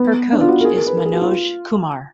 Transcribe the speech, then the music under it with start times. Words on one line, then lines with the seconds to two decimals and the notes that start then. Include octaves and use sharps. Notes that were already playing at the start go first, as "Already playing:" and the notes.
Her coach is Manoj Kumar.
Already playing: B3
0.32 D4
0.41 F4
0.48 F#4
0.61 A#4
0.65 G#4
0.76 A#4
0.87 B4
0.97 A#4
1.06 G#4
1.14 F#4
1.22 F4